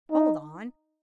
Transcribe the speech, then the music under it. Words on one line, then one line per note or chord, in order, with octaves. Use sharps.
Hold on!
D#4